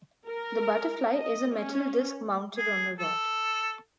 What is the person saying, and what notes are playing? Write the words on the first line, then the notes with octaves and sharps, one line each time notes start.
The "butterfly" is a metal disc mounted on a rod.
A#4
D#5
C#4
G#4
A4